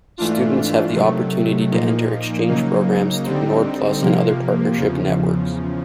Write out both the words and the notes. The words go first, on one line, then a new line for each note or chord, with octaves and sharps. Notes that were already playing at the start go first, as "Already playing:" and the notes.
Students have the opportunity to enter exchange programmes through Nordplus and other partnership networks.
G#2 E3 A3 D4 F4
C3 D#3 F#3 A3
A#2 F3 A#3 D#4
C#3 F#3 A#3 D#4
D3 G3 C4 D#4
C3 F3 A#3
E2 C#3 F3